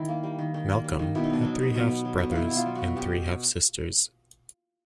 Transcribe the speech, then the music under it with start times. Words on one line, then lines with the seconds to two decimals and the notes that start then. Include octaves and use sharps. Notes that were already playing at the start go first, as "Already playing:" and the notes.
Malcolm had three half-brothers and three half-sisters.
Already playing: D#3 E4
0.09 A#3
0.23 G3
0.39 D#3
0.54 D#3
0.69 A#3
0.84 G3
0.99 D#3
1.15 B2 E4
1.24 D#4
1.30 B3 D4
1.42 F#3 D#4
1.60 B2
1.75 B2
1.90 B3
2.05 F#3
2.20 B2
2.31 B2 E4 F4
2.51 B3
2.57 F4
2.66 F#3
2.76 F#4
2.82 B2
2.96 B2 G4